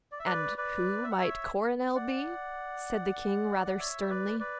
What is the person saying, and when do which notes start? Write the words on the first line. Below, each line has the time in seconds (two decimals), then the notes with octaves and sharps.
"And who might Coronel be?" said the King, rather sternly.
0.12 D5
0.19 E5
0.26 B4 D5
0.57 B4 D5
1.04 E5
1.11 F#5
1.18 C#5 E5
1.95 D5 F#5
3.65 F#5
3.79 C#5 E5
4.10 B4 D5
4.39 B4 D5